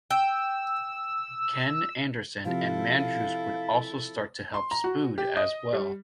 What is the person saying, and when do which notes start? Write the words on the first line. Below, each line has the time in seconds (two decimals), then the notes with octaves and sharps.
Ken Anderson and Mandrews would also start to help Spud as well.
0.10 G5 E6
2.45 C3 F3 C4 E4 A4 F5
4.54 C6
4.71 A#5
4.84 F#4
5.18 G4
5.37 D#5
5.73 G3